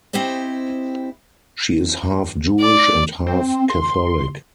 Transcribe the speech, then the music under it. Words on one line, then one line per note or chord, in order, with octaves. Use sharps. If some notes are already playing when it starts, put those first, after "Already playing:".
She is half Jewish and half Catholic.
C4 E4 G4 C5 D#5
D5
C4
C6